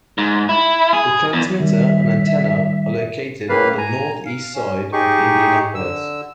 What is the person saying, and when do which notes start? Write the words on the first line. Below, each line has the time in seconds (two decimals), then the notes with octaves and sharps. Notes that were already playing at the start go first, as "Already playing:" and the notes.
The transmitter and antenna are located on the Northeast side of Indianapolis.
0.18 G#2
0.49 E4
0.93 G#4
1.33 E2
1.60 D#3 G3 E5
3.49 A2 C#3 A#3 B4 F5
3.78 G#5 A#5
4.26 F5
4.54 C#4
4.92 D#4 G4 G#4 C#6
5.75 D3 E6